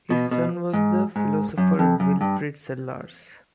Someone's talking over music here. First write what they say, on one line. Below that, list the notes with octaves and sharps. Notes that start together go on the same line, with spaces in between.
His son was the philosopher Wilfrid Sellars.
B2
B2
G#2
G#2
F#2
F2
F#2
G2